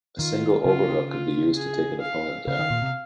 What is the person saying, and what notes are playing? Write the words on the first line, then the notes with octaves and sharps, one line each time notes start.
A single overhook can be used to take an opponent down.
D#3 F4
C#3 F4
F4
G#4
F5
C#3 F5
D#3
A#2
C3